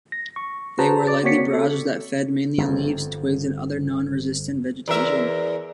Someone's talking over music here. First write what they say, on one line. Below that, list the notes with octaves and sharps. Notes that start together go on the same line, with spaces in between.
They were likely browsers that fed mainly on leaves, twigs, and other nonresistant vegetation.
A#6
C#6
F#4 G#4 B4 C5 A5 A#5
D5 D6 A6
A#3 C4 F#4 C#5 B6 C#7
A4
G1 F2
E2 A#4 E5